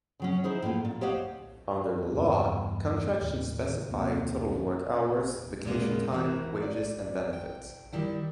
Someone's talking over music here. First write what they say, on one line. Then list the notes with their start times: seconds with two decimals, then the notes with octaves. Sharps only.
Under the law, contracts should specify total work hours, vacation time, wages, and benefits.
0.20 C#3 F#3 C#4
0.43 D#4 E4 G#4 C5 D#5
0.62 A2 A#3 B3 F4
0.85 A#2
1.01 G4 C5 C#5 D#5 F5 F#5
2.13 E2 G2 C#3 B3
3.22 D#2 A2
3.90 D#2 A#3 C4
5.65 A#2 G#3 A#3 B3
6.12 E3 A#3 F#4 A#4 E5
6.62 D5
7.33 G5
7.93 D#3 G3 E4 G5